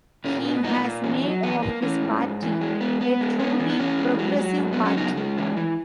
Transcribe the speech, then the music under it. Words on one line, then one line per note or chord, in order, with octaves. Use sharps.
He has made of his party a truly progressive party.
A#2 C#4
B3
A#2 B3 D#4
A#2
E2 C#4
F#3
E2 B3
A#3
E3 C#4
G#2
G#2
E3
G#3
B3
B3
G#3
B3 C#4
E3
B3
E3 C#4
G#3
F#3
F#3
G#2
F#3 B3
C#4
C#3 B3 D#4
G#3
E3 C#4 E4
E3